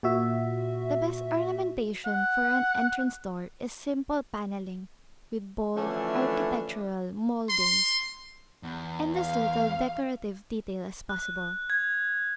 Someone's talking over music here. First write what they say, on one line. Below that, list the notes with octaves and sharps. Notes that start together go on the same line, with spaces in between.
The best ornamentation for an entrance-door is simple panelling, with bold architectural mouldings and as little decorative detail as possible.
A#2 F#4 E5
F#5
D3 E3 F3 A3 C#4 D4
C6
E2
F5
F#6
G#6